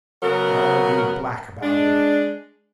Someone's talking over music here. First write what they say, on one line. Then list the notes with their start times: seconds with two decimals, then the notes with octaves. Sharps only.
All grew black about him.
0.22 C#3 F#3 B3 A#4
1.62 G#3 D4